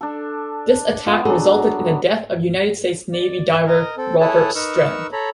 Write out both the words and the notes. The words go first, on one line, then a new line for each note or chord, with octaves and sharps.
This attack resulted in the death of United States Navy diver Robert Stethem.
D4 A4
B3 F4 D#5
F#3 D4 G#4 A4
D5
A#4 D#5
C4 A4
E4 G#4 A4 B4 C#5 A5
D#4 A#4 B4 C#6 E6
A4 C#5 A#5 B5